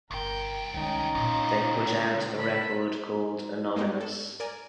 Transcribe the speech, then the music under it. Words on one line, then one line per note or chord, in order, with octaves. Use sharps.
They put out a record called Anonymous.
G1 C2 A#4 G5
C#2 D#3 C#4 D#4
C#2 A#2 D4
A4 B5
G#2 G#3 A#3 B3 D#4 G4
A4
A#4 D5 G#5